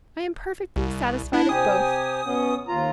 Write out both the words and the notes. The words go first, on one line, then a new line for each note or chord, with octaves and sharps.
"I am perfectly satisfied of both."
C2
D4 E4
C3 G4 G#5 D#6
B2 B3 C#4
D#2 F4 A#5